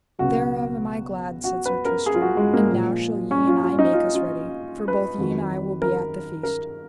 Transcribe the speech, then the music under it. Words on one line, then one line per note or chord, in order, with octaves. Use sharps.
Thereof am I glad, said Sir Tristram, and now shall ye and I make us ready, for both ye and I will be at the feast.
C#2 B2 F#3 F#4
F#4
B4
A#4
G#4
F4
F#4
G#3
A#3
A#2 F3 G#3
C#4
F4
F4
D#4
F4
F4
B4
F2 D#3 F#3
A#4
A#4